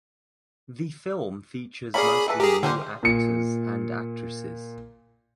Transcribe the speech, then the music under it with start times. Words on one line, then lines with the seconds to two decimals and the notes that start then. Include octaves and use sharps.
The film features mostly new actors and actresses.
1.94 A#3 C#4 G#4 D5 B5
2.28 E3 A4 B4
2.40 G4 G#4 A#4
2.63 D3 G3 D4 C5
3.03 A#2 C#7